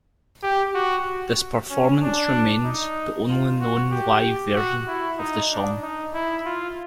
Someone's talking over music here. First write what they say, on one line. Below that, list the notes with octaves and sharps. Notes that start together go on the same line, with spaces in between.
This performance remains the only known live version of the song.
G4
F#4
C#4
D4
D#4
F4
F#4
G4
F#4
E4
D#4
D4
D#4
E4
F4